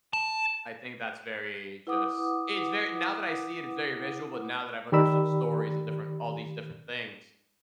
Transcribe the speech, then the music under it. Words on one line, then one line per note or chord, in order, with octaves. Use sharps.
I think that's very, just, it's very now that I see it, it's very visual, but now that I've understood stories and different all these different things,
A5
E4 B4 F#5 D6 D#6
D#3 G4 A#4 D5 B5 E6